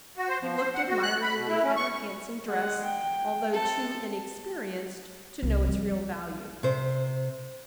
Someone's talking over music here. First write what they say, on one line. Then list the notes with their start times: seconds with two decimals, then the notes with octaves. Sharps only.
He looked admiringly at her handsome dress, although too inexperienced to know its real value.
0.17 F#4
0.29 C5
0.41 F3
0.56 C5
0.75 F#5
0.88 F#4
1.03 F#6
1.22 B5
1.37 B2
1.49 E4
1.64 C#4
1.76 C#6
2.46 G#3 F#5
2.83 G5
3.52 C4 A4
5.43 C2
5.66 F3 G3
6.63 C3 C5